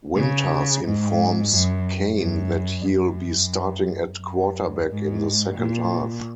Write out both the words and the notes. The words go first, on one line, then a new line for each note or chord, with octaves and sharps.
Winters informs Kane that he'll be starting at quarterback in the second half.
C#3
G#2
F#2
F#2
F#2
F#2
G#2
A#2